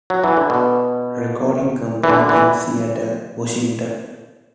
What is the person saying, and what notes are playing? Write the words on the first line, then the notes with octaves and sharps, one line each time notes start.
Recording Company in Seattle, Washington.
F#3
E3
D3
B2
E3
D3
E3